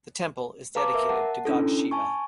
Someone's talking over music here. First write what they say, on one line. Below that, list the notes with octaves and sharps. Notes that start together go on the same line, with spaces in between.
The temple is dedicated to God Shiva.
B4 F5 A5 A#5 D6
A#4 E5
F#5 A5
C#4 D4 E4 A4
G#5 A5 C#6